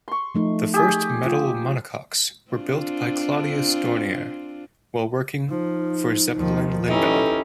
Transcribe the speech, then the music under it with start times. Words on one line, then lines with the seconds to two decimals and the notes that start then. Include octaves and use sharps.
The first metal monocoques were built by Claudius Dornier, while working for Zeppelin-Lindau.
0.08 C6 C#6
0.35 F3 A3 D#4
0.74 G4 G#4
1.26 F4
2.51 C4 D4 F4
5.49 F3 D#4
6.36 D#2 D#3 F3
6.88 A3 C#4 D#4 E4 G4 B4